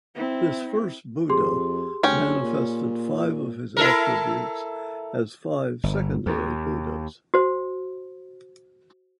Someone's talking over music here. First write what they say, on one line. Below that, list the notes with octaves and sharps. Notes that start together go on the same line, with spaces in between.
This first Buddha manifested five of his attributes as five secondary Buddhas.
C4 E4
F2 G4 G#4 C6
D2 C#4 C#5 G5
F#1
A#2
E4 A4 A#4
G1
D#2
F#4 C5